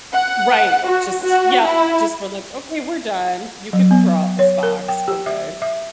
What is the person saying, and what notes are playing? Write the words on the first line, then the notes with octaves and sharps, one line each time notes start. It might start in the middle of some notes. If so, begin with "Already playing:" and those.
Right, just Yep. Just for, like, "Okay, we're done. You could throw out this box. We're good."
F#5
F#4
F#4
E4
F#3
B3
C#5
A#4
G5
G4
E5
E5